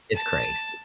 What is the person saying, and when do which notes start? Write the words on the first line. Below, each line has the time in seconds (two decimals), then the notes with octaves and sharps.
it's crazy.
0.15 A5